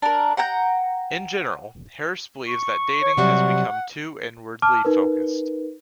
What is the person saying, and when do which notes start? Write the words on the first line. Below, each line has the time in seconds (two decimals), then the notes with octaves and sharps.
In general, Harris believes that dating has become too inwardly focused.
0.02 D4 A#4
0.37 F#5 G5 A#5 G6
2.48 C#6
3.01 C#5
3.17 C3 F#3 G3 F#5
4.62 A5 D6 F6
4.85 D#4 A#4 B4